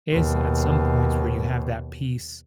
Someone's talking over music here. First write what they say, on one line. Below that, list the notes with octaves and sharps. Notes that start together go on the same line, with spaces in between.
is at some points where you have that peace,
D#2 B2